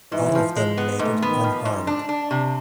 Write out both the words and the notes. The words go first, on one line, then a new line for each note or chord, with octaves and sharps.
All of them made it unharmed.
G#2 E3
F3
G#3
B3
G#2 A3
B3
D#3
F3
G#2
D4
D4
C3